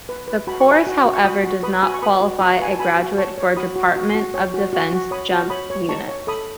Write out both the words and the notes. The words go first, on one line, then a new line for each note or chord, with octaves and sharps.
The course, however, does not qualify a graduate for Department of Defense jump units.
B4
B4
F#4 B5
C#6
B4
G#5 B5
F#4
F#4
C#6
F#4 B5 D#6
F#4
B4 B5 D#6
F#4 G#5 B5
C#6
B4 B5 D#6
F#4
F#4 B5 D#6
B4 G#5
A5
F#4 G#5 B5
F#4
C#5 A5 C#6
C#5
F#4 B5 D#6
F#4
F#4
F#4
C#5
F#4
F#4
F#4
C#5 B5 D#6
F#4
C#5 B5 D#6
C#5
D#4 A5 C#6
C#5
A4 B5 D#6